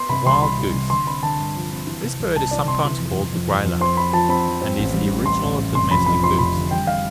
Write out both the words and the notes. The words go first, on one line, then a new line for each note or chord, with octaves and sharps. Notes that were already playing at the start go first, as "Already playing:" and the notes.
THE WILD GOOSE.--This bird is sometimes called the "Gray-lag" and is the original of the domestic goose.
Already playing: B3 C6
C3 B5
C2 C6
E3 B5
C2
C3
D3 C6
C4 B5
D3 A5
G2
F3
C4
E3
C3
C2
C3 A5
E3 D5
C3 C6
E3
F2
F2
F2
F2
F2
C4 C6
C4 B5
F3 A5
C4 B5
F3
C4
A1
G3
A1
A1 C6
A1
A1
F1 C6
F2 B5
F2 B5
F3 C6
F1 B5
D3
G3 G5
G3 F5